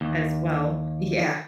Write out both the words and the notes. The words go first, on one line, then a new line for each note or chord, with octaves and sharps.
As well. Yeah,
D#2